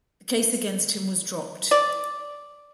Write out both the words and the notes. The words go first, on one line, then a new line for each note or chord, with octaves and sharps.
The case against him was dropped.
D5